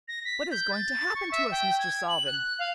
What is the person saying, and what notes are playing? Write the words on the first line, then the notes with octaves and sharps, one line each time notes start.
What is going to happen to us, Mr. Salvin?
A#6
B6
G6
A6
C#6
E5
G5
G#6
F#7
F#6
F5